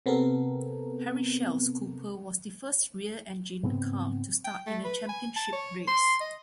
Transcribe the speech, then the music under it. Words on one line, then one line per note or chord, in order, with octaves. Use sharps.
Harry Schell's Cooper was the first rear-engined car to start in a championship race.
C3 B3 C4 A4 A#4
G#2 C#3 B3 C4
G5
A3
B4
G#5
A5
C#5
C6
D#5